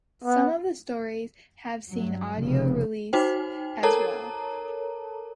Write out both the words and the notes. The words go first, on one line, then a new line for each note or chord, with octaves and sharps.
Some of the stories have seen audio release as well.
B3
G2 F#3
F1 C#3
D#4 F#4 C5 G5
A4 A#4 C#5 A5 A#5